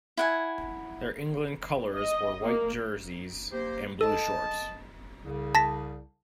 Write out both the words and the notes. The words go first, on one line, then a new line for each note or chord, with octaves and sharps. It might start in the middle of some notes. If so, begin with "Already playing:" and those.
Their England colours were white jerseys and blue shorts.
E4 F#5 G#5
D#5
A#3
A#3 G4 C5
A4 D#5 A5
C2 C#3
A5 A#6 B6